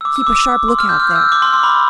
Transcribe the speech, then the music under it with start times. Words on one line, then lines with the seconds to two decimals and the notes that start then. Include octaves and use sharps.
Keep a sharp lookout there.
0.01 E6
0.05 D6
0.16 E6
0.27 D6
0.68 C6
0.79 F6
0.89 G6
1.00 F6
1.15 E6
1.32 D6
1.42 C6
1.53 C6
1.63 B5